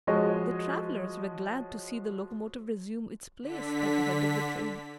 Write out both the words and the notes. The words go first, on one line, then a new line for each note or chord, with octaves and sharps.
The travellers were glad to see the locomotive resume its place at the head of the train.
F3 G#3 F#4 C#5 D#5
D3 B6